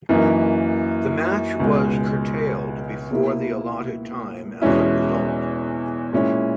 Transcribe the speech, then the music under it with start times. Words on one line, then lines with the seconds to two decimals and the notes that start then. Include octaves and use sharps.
The match was curtailed before the allotted time as a result.
0.09 F#2 E3 A#3 D#4
1.60 C#2 B2 G#3
3.10 B2 A#3 E4
4.61 E2 B2 G#3 C#4 E4
6.13 A#2 G#3 C#4 E4